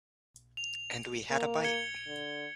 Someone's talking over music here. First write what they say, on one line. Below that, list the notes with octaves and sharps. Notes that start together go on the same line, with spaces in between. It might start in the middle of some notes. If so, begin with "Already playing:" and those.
And we had a bite.
F7
A#3
G#6 C#7 G7
D3